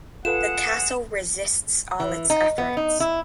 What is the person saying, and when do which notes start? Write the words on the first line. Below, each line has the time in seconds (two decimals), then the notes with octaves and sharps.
The castle resists all its efforts.
0.25 G#3 F4 G#4 A4 B4 F#5 E7
2.00 E3
2.30 D#4
2.58 B3
2.77 D#4
3.00 E4